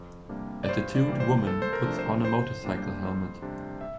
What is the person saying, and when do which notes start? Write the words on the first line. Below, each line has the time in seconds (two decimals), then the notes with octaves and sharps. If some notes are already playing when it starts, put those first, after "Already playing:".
A tattooed woman puts on a motorcycle helmet.
Already playing: F2
0.29 C3 G3 A#3 D4
0.64 D5
0.69 G2 C5
0.95 D5
1.08 E3 G3 A#3
1.20 C5
1.47 C2 A4
1.62 C5
1.73 A#4
1.86 C3 F3 A3 D4
1.99 C5
2.25 A1 C5
2.64 A2 G3 A#3 D4
3.03 F2
3.42 C3 G3 D4
3.81 E5